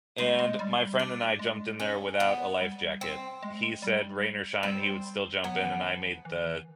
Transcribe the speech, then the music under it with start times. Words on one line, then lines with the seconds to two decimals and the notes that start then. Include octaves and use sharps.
And my friend and I jumped in there without a life jacket. He said, "Rain or shine," he would still jump in, and I made the,
0.18 G#3 D#4
0.39 G#3
0.59 G3
0.99 D4
1.39 G#3
1.80 C#4
2.20 B3
2.61 G3
3.01 C4
3.42 G#3
3.82 G3
4.63 G3 C4
5.44 F#3 B3
5.54 F3
5.63 E3
5.72 F3
6.25 E3
6.32 D#3
6.41 E3